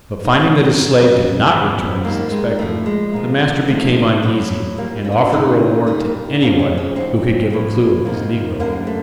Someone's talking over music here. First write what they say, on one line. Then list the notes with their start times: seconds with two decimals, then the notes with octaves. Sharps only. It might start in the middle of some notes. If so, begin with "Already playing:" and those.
But finding that his slave did not return as expected, the master became uneasy, and offered a reward to any one who could give a clue of his negro.
0.24 D#4
0.33 D4
0.40 G#2 D#3 F#3 C#4
0.94 F2 C#3 F#3
1.50 E2 C3 F3 B3
2.04 G#2 D#3 G3 A#3
2.31 G#3
2.59 A2 F3 A3
2.86 G#3
3.13 A#2 F3
3.68 G#2 F3 A3
4.22 A2 F#3
4.77 A#2 G3 A#3
5.04 C#4
5.12 D#4
5.18 D4
5.27 E4
5.32 D2 C#3 E3 D#4
5.87 D#2 D#3 G3 D#4
6.41 D2 C#3 F3 D4
6.59 C#4
6.77 C#4
6.96 D#2 D#3 F#3 C4
7.50 A2 F3
8.05 D2 C3 D#3 A#3
8.60 F#2 D3 G3 A#3
8.87 A3